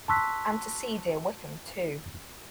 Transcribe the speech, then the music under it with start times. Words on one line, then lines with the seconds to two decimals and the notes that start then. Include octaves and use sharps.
And to see dear Wickham too!
0.08 A5 C6 C#6 E6 F#6 B6